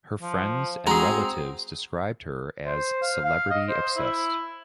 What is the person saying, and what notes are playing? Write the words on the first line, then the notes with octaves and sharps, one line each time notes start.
Her friends and relatives described her as celebrity-obsessed.
F3
G#3 C4 F#4 G#4 A#5
C5
F5
F5
D#5
C5
E4